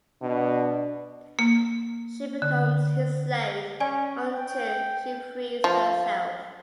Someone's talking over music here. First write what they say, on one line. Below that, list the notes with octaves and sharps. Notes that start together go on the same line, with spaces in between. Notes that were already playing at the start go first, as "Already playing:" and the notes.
She becomes his slave until she frees herself.
B2 D4
A#3
D3
C#4 D5 G#5
G5
F3